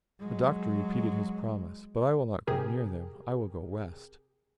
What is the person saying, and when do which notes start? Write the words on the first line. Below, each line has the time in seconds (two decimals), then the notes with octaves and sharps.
The Doctor repeated his promise, "But I will not go near them; I will go west."
0.19 F#3 G#3
2.47 C3 G4 G#4 A#4